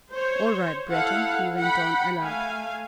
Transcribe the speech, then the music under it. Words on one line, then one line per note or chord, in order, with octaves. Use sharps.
"All right, Breton," he went on aloud.
C5 C#5
E4 A4 F5 F#5
F#5 G5 B5
A3 F5 G#5